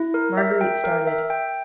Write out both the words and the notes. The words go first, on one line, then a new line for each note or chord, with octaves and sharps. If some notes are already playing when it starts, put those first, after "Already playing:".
Marguerite started.
Already playing: E4
A#4
E5
G5
A#4
E5
G5